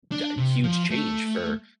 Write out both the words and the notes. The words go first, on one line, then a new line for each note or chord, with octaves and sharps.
d huge change for
D4
C3
F3
A3